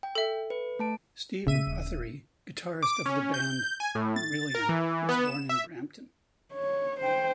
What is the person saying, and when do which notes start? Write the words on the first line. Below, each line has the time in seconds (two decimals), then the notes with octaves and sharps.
Steve Rothery, guitarist of the band Marillion, was born in Brampton.
0.03 G5
0.15 A4 E5
0.50 B4
0.79 A3 A5 D7
1.47 A#2 C#3 E5 D#7
1.67 D#1
2.83 D6
3.06 C#4
3.34 G6
3.80 G#5
3.95 A2
4.16 A6
4.55 A#4
4.69 E3
5.09 B3
5.25 E7
5.49 E5
6.54 C#5
7.01 C5 G5